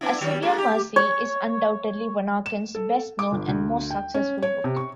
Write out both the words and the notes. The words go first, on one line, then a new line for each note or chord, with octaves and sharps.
A Severe Mercy is undoubtedly Vanauken's best known and most successful book.
B3 D4 E4
D#3 F#3 G3
G#3 A#3 D4
G4
C#5
E7
A4
D6
G1
D2
G5
C#4
C#5
C3
C#6